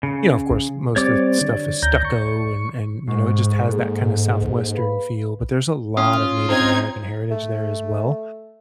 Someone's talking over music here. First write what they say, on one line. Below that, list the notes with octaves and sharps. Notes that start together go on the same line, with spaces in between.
you know, of course, most of the stuff is stucco and and, you know, it just has that kinda southwestern feel, but there's a lot of Native American heritage there as well,
C#3
G3 C4 C#5 D5 D6
D3
D2 A#5 G6
C#6
G#2 G#3 C#6
A#3 G#4 A4
B4 F5 B5
C#4 F4 D#6
C4 D#4 G#6
A3